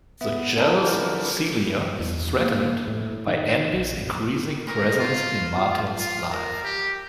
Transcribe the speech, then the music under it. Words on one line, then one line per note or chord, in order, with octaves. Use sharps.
The jealous Celia is threatened by Andy's increasing presence in Martin's life.
B3 E5
D3 D4 E4 A4 A#4 G#5 A#5 G6
F3 C4 E4 G4 B4 D6 F6
E2
A#3
A2
D#3
A#1
A#4
F4
F4
F4
A#4
G4